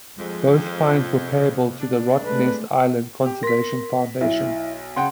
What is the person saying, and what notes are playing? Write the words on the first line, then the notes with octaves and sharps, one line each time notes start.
Both fines were payable to the Rottnest Island Conservation Foundation.
F2 F3 G#3
C3
D4
G#3 A3 B4
G4
A#4 C6 A#6 B6
B1 E4 E5
C#3 F#5 G5 C6